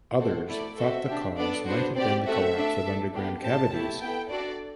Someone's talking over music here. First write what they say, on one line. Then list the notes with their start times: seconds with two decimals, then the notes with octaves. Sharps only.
Others thought the cause might have been the collapse of underground cavities.
0.20 C4 F#4 A4 C5
0.49 A3 E4 A4 D5
0.79 C4 F#4 A4 E5
1.08 D4 G4
1.37 B3 D4 A4 D5
1.67 B3 D4 F#4 C5
1.96 C4 G4 D5
2.26 A3 C4 F#4 A4 E5
2.55 A3 D4 A4
2.84 D4 A4
3.14 B3 D4 G4
3.43 C4 G4 A5
3.73 A3 E4 G4
4.01 B3 E4 A4 G5
4.30 D4 F#4 A4 D5